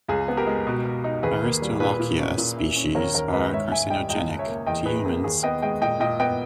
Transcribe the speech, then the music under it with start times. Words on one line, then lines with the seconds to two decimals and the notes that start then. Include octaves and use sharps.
"Aristolochia" species are carcinogenic to humans.
0.08 C#2 G#4
0.28 B3
0.37 G4 A#4
0.47 G#3
0.67 B2
0.85 B2
1.04 D#4
1.23 D#2 G#4 B4
1.42 A#3
1.62 G3
1.80 A#2 G#4 B4
2.00 A#2
2.19 C#4
2.38 A#2
2.57 E4
2.76 C#4
2.95 D#2 A#4 C#5
3.14 D#2 A#4 C#5
3.33 G#3 B4 D#5
3.53 G#2 C#5 E5
3.71 G#2 E5 G#5
3.90 G3 D#5 G5
4.09 C#2 D#5 G5
4.29 C#2
4.39 C#5 E5
4.48 A#3
4.66 E2 D#5 G5
4.86 D#4 G#4 B4
5.05 A#3 G#4
5.24 D#2 G#4
5.43 B3 D#5 G5
5.62 G#3 D#5 G5
5.81 A#2 D#5 G5
6.00 A#2 D#5 G5
6.20 B3 D#5 G5